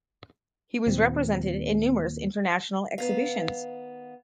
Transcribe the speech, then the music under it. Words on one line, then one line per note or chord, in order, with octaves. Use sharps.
He was represented at numerous international exhibitions.
D#2 A#2 C4
D#3 B3 F5